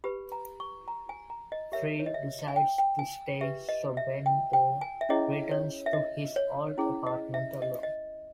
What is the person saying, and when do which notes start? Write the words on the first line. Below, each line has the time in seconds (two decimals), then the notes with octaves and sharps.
Fry decides to stay, so Bender returns to his old apartment alone.
0.04 G4 B4 B5
0.32 A#5
0.60 C#6
0.88 A#5
1.09 G#5
1.30 A#5
1.52 D#5
1.72 G4 A#4 C#5 E5
2.00 C#5
2.06 D#5
2.14 E5
2.48 G#5
2.56 G5
2.78 G5
2.99 G#5
3.41 G4 B4 E5
3.69 D#5
3.97 E5
4.26 G5
4.53 G5
4.81 G#5
5.01 E5
5.09 C#4 E4 G#4 C#5 D#5
5.51 C#5
5.86 E5
5.93 D#5
6.36 C#5
6.78 C#4 E4 G#4
7.07 D#5
7.34 E5
7.62 D#5
7.83 D#5